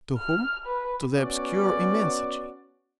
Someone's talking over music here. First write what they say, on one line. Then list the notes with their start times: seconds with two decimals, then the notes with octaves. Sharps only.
To whom? To the obscure immensity.
0.18 F6
0.65 B4
1.15 B3 C#4 F#4 D5